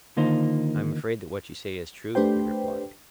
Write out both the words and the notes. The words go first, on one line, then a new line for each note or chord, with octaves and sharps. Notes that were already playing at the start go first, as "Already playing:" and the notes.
I am afraid that what you say is true, he replied.
D3 D#3 A#3 D#4 F4 C5
A3 D4 G4 B4 C5 G5